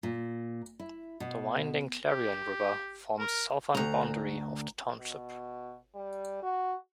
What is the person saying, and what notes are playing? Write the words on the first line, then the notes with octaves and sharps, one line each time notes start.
The winding Clarion River forms southern boundary of the township.
A#2
E4
B2
G4
A#4
D2 A#5
B2
G3
F#4